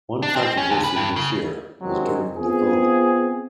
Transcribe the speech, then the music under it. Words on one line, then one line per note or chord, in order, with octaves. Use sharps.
One controversy this year was during the voting.
D4
C4
C#4
D2
B4
G2
C#3
F#2 C3 D#3 F#3 G#3 C4
B3 C4 F4 G#4